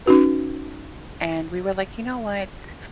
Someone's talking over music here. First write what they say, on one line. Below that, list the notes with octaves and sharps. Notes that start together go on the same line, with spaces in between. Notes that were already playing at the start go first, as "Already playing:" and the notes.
and we were like, "You know what?
C#4 D#4 F#4 B4